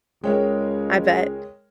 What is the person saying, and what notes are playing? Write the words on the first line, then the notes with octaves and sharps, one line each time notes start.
I bet.
C#2 G#3 A#4 C#5 G5